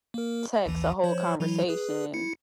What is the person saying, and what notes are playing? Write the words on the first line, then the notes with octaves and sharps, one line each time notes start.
text a whole conversation
A#3 A#4
A#1 D#2 E3
F3 C5 C#5
E3 F#3 E4
G#4 B4
E4 C#7